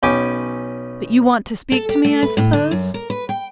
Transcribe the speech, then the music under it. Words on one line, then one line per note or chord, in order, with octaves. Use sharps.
"But you want to speak to me, I suppose?"
B1 B3 C#4 G5 G#5 D6
A4
G4
A3
B4
A2
D3
F#2
A#4
B4
G5